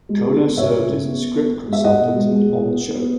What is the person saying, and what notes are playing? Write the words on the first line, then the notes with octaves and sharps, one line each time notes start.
Kohner served as a script consultant on the show.
G#3
B3
B3
C#3 C#5 E5
C#3
C#3
B3
B3
B3
B3
G#3 E5
G#3 D#5 F#5
B2
G#3
G#3
B2
B3
B3
B3